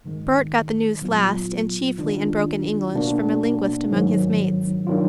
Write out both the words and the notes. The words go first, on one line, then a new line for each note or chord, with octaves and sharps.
Bert got the news last, and chiefly in broken English, from a linguist among his mates.
G#2 D#3 G#3
A#2 F#3 B3 F4
D#3 G#3 D4 F4
B2 A#3 D4 F#4
G#2 D#3 F#3
D#3 F#3 D4 F4